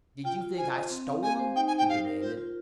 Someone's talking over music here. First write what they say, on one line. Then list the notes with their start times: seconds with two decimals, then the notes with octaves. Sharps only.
"Did you think I stole them?" he demanded.
0.24 F4 G5
0.41 F4
0.57 C5 G#5
0.74 D#5
0.90 C4
1.07 F5
1.22 G4 G#5
1.39 C5
1.55 D#4 G5
1.67 G#5
1.72 D#4
1.78 G5
1.89 G4 F5
2.05 A#4
2.21 F4 C5
2.37 F4